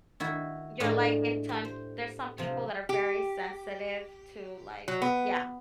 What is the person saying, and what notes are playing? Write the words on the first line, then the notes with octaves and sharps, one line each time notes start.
You're, like, intense There's some people that are very sensitive to, like Yeah.
D#3 E4 F#4
A2 G#3 D4 D#4 D5 C6
G4
C5
C3 F3
G4
F#3
B3